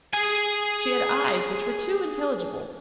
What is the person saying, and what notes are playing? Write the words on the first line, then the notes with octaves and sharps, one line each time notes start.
She had eyes which were too intelligible.
G#4 G#5